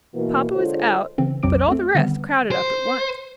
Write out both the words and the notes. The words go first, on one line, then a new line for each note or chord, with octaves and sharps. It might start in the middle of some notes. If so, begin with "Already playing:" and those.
Papa was out, but all the rest crowded up at once.
B2 E3 A#3
D3 G#3 D4 F4 C5 C#5
C#3 E3 C4
B1 F2 F#3 C4 D6 D7
A3 C4
D3 D#3 G3 B3
C5